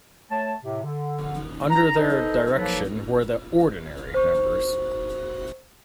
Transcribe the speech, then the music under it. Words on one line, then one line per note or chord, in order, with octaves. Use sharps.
Under their direction were the 'ordinary' members.
A3 C#5 A5
A2 C3
D3
A#5
D#4 A4 B4 C5 D#5
F3 F#3 A#3 A4 B4
C5 C#6